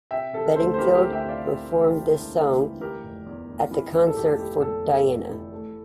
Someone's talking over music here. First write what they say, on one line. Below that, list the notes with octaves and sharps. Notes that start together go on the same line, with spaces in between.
Bedingfield performed this song at the Concert for Diana.
C3 E5 G5
C3 A4
A#4
D2 A4 C5
C5
E3 G4 A#4
G4 A#4
D2
E5 G5
C3
D5 F5
C3
D2
C3
E1
D2
E3
E3 G4 A#4
F1
E2
E2
E3
E3
A4
F1 G4
E3 G4
F1 A4
E2
F1
E3
A3